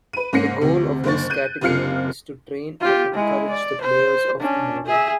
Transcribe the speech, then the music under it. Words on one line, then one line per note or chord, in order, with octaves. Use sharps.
The goal of this category is to train and encourage the players of tomorrow.
B4 D#7
G#2 A#3 C#4 A#6 C7 C#7
D2 C3
F#1 D3 A#3 C5 C#6 A6
F#6 G6 D#7
F#1 C3 F4 F6 C7 C#7
F4 G4
G#3 E4
D5
C5
C#4 D4
G#4 E5